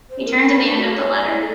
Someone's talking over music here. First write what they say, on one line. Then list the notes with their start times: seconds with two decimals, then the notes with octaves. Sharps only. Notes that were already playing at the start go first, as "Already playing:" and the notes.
He turned to the end of the letter.
0.10 C5
0.25 A#4
0.42 B5
0.60 D4
0.77 F#4
0.95 C#5
1.13 D5
1.26 E4
1.40 A4